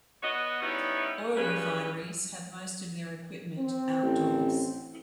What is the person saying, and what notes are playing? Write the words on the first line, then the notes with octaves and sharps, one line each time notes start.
Oil refineries have most of their equipment outdoors.
B3 F#4 C#5 D#5
G3 B3 C#4 D#4 E4
C#3 G3 B4
C4
A1